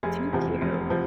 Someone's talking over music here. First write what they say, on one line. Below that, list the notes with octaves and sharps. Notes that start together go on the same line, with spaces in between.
Thank you.
F1 G#4
E2 C3 F3
F1
C3 F3